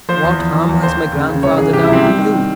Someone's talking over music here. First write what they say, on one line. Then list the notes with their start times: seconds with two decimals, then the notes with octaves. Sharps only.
What harm has my grandfather done to you?
0.09 F3 C5
0.23 E2
0.39 E2
0.54 E3
0.69 E2
0.83 D#2 C5
0.98 D#2
1.13 C#3
1.29 C#3
1.43 C2 C#5
1.58 E3 G#4
1.73 C3 G4
1.83 E4
1.89 C2 C4
2.03 G3
2.18 D#3
2.33 G3